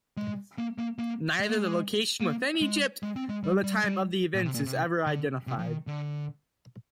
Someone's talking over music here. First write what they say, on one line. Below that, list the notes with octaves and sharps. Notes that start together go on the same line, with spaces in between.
Neither the location within Egypt nor the time of the events is ever identified.
G#3
A#3
A#3
A#3
G#3
A#3
G#3
A#3
G#3
G#3
C4
G#3
G3
G3
G3
A#2
C3
A#2
C3
D3
C3
F3
D#3
D3